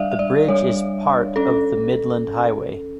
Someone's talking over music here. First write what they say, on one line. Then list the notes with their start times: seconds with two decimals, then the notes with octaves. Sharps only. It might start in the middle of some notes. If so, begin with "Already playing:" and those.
The bridge is part of the Midland Highway.
Already playing: G3 D4 D5 E5 F5
0.12 E5
0.19 D5
0.48 G3 D4 C#5
1.36 C#4 A4